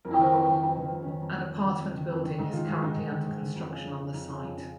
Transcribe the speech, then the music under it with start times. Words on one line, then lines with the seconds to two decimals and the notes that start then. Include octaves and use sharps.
An apartment building is currently under construction on the site.
0.05 F2 A#4
0.13 C#5
0.19 D#3 A#4
0.33 F2
0.49 D#3
0.63 F2 D#4
0.78 D#3 F4
0.92 F2
1.02 D#3 C#4
1.21 F2
1.36 D#3
1.50 F2
1.66 D#3
1.80 F2
1.95 D#3
2.10 F2
2.24 D#3
2.39 G#2 D#4
2.53 D#3 F4
2.67 G#2 F4
2.82 D#3 D#4
2.97 G#2
3.12 D#3
3.26 G#2
3.41 D#3
3.55 F2
3.70 C#3
3.85 F2
3.99 C#3
4.14 F2 D#4
4.29 C#3
4.44 F2
4.57 C#3